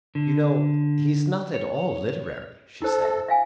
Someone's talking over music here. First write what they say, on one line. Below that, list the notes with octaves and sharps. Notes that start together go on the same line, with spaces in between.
"You know, he's not at all literary," she said.
D3
C#5
E4 A4 C5
E5
E5 F5 G#5